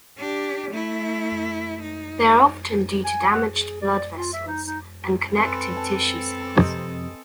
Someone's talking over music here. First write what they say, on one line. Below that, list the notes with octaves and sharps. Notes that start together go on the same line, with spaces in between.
They are often due to damage of blood vessels and connective tissue cells.
D4 G4
A3 E4
D#4
G#5
F#5
G#4
D5
F4
E5
D#4
D#4
C4 A4 B4 G#5 C6
G#5 A5
F2 C3 C5 D#5